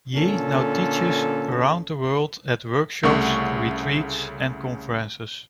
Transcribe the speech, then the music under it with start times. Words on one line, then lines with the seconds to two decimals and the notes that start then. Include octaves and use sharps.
Yee now teaches around the world at workshops, retreats, and conferences.
0.15 A#2 D3 C#4 A4
3.03 C2 C#3 A3 F#5 C#6